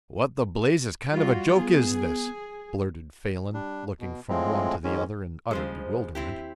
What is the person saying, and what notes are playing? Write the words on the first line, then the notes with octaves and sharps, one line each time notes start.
"What the blazes kind of a joke is this?" blurted Phelan, looking from one to the other in utter bewilderment.
G3 F4 F#4
B3 G#4
G3 D4
B2
A2 F3 G#3 C4
G#2 D#3 G#3 C#4
C#3 F3 G3 G#3 C5
D#2 C4 E4 G4